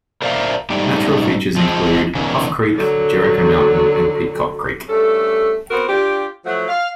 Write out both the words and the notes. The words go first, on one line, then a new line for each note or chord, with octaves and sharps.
Natural features include Hough Creek, Jericho Mountain, and Pidcock Creek.
A#4 C5 D5 E5 F5 A#5
G#2 G3 A3 D#4 G4 G5
F3 G#3 C4
E2 D#3 F#3 C#4
D3 F#3
G2 A3 C#4 A4
B3 C4 F#4 A#4 C5
D4 F4 G4
F3 F#3 A3 F#4
F5